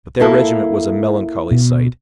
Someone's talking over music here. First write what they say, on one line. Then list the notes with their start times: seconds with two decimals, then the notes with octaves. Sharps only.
But their regiment was a melancholy sight.
0.20 A#3 E4 A4
1.51 B2